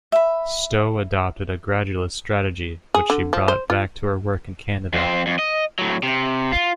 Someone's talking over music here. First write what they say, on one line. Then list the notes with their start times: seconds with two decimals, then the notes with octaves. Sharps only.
Stowe adopted a gradualist strategy which she brought back to her work in Canada.
0.12 E5 B5
2.95 G#4
3.10 D3
3.33 F3
3.48 C5
3.70 F4
4.94 F2 C4
5.27 F2
5.39 D#5
5.79 A2 F#3
6.03 C3
6.52 F4